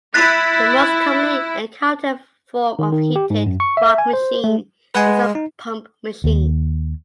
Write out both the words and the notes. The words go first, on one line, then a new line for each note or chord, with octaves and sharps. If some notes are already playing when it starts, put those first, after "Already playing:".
The most commonly encountered form of heated fog machine is the pump machine.
E4 F#6 A6 B6
D#3
D#3
G4
G#2
F#2
C#6
E5
G#5
C5
A3
G#3 B4 F#5 G#5
D#4
D#2